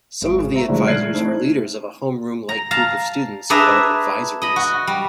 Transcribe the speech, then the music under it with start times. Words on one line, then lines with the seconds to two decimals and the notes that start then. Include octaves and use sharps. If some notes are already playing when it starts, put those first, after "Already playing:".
Some of the advisors are leaders of a homeroom-like group of students, called advisories.
0.21 G#1 D7
0.36 F#4 G#4
0.54 C5 E5 A#5
0.68 A#2 D3 E3 F#3 G#3 A3
0.86 F6 F#6 G#6 C7 D7 F#7
1.14 A3 C4 D#4 E4
2.49 A#5
2.71 F5 A5 A#5
3.50 D4 G#4 B4 D5 E5 A#5
4.42 D#5 B5
4.56 F#4
4.87 G3